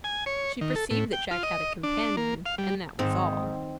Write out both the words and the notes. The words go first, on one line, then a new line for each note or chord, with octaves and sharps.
She perceived that Jack had a companion, and that was all.
G#5
C#5
D#3
A4
A2
G5
F4
D#5
D4
A#3
F5
G3
G#2 D#3 C4